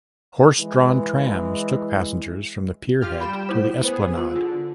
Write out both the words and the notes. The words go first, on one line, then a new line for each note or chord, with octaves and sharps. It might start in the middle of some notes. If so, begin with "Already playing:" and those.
Horse-drawn trams took passengers from the pier head to the esplanade.
E3 G#3
F4 G4 F6
G3 G5 B5 E7
A3 E4 C5
B3 G#4
F4
D3